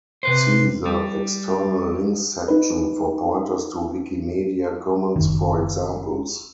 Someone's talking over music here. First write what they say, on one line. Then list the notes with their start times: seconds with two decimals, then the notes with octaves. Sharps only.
See the "External links" section for pointers to Wikimedia Commons for examples.
0.23 C3 B4 C5
0.86 G3
2.48 D#4 B4
5.16 F#1 D#3